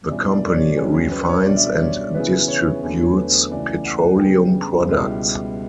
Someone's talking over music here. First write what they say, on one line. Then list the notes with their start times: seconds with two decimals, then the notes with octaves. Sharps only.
The company refines and distributes petroleum products.
0.08 B2 G3 C#4 E4 D5
0.31 D5
0.48 D5
0.55 C#5
0.77 C#2 C#3 F#3 C#4 B4
0.94 C#5
1.11 B4
1.29 C#5
1.46 B2 G3 D4 D5
1.56 E5
1.66 D5
1.80 C#5
2.14 C#3 E3 B3 E4 B4
2.48 C#5
2.83 E2 D3 F#3 A3 B4
3.00 C#5
3.17 B4
3.34 B4
3.51 C#2 C#3 E3 A3 D5
3.85 F#5
4.19 C#3 G3 B3 D4 G5
4.88 C#2 B2 G3 B3 E4